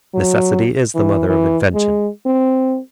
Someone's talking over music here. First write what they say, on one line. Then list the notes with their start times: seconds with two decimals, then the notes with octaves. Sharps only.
Necessity is the mother of invention.
0.14 F#3
0.95 E3
1.29 E3
1.74 G#3
2.26 C4